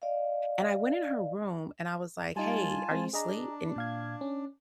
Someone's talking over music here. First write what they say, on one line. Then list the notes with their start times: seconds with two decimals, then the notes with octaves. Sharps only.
And I went in her room and I was like, "Hey, are you sleep?" And
0.02 D5 D#5 F5
2.36 G3 D#4 F4 G#5 A5
2.91 G#3 C4
3.13 D4 G#4 D#5 A#5
3.76 A#2 F5 G#6
4.21 C#4